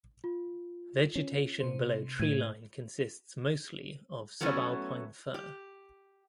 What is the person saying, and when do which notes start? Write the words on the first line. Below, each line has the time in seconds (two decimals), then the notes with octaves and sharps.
Vegetation below treeline consists mostly of subalpine fir.
0.24 F4
1.15 C#4
1.60 C3 C5
2.19 A2 G#6 D#7
4.41 F#3 A3 B3 C#4 E4 F#4
5.34 G4